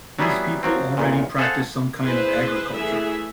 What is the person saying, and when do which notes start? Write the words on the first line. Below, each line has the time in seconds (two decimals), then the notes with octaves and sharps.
These people already practiced some kind of agriculture.
0.19 F#3 G3 B3 E4 G#4
0.63 F3 F#3 C4
0.97 B1 E2 A#2
1.38 G#4 A4 C5 F5 F#5 A5
2.03 E4 G#4 B4 C5
2.74 E3 A3 G#4 E5